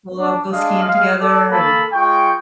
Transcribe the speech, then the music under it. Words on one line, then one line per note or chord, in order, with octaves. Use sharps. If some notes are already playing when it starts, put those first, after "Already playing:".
we'll all go skiing together and
D4
G#3 D4 D#5 F5
G#3 F5
A4 D5
A#3 A4 A5 B5
G#3 F4 G5 C#6